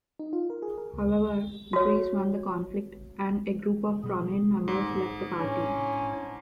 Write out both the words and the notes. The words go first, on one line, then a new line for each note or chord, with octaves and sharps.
However, Drees won the conflict, and a group of prominent members left the party.
D#4
F4
A#4
G#4
A#4
C#2
D2
F#4 C#5
B2 G3 G#4
G#2
A2 C#4 D4 C#5